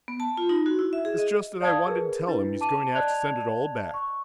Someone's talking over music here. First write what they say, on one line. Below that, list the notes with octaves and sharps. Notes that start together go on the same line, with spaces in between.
It's just that I wanted to tell him he's going to have to send it all back.
B3
A5
F4
D#4
F#4
E4
E5
G#4
D#5
D5 F5 A5 D#6 G#6
G#4 A#4 B4
D4 E4 B4
A5 D6 D#7
D5 D#5 A5 F#6 G#6 F7
C#6